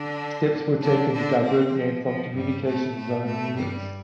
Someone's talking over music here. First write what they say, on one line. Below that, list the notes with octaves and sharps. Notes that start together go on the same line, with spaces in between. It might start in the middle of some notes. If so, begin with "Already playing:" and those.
Steps were taken to divert men from Communications Zone units.
Already playing: D3 D4
D3 D4
D3 D4
C3 C4
F3
F3
G2 G3
A2 A3
A2 A3
A2 A3
G2 G3